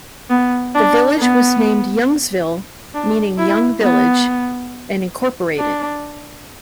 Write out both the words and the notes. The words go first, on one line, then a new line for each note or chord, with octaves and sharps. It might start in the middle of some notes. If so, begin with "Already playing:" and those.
The village was named "Youngsville," meaning young village, and incorporated.
B3
D4
B3
D4
E4
B3
D4